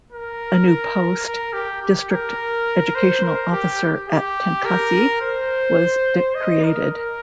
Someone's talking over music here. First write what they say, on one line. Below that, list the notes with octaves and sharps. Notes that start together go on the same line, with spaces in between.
A new post, District Educational Officer at Tenkasi, was created.
A#4
A#4
G4
G4
A#4
C5
A#4
G4
G4
A#4
C5
D#5
A#4
A#4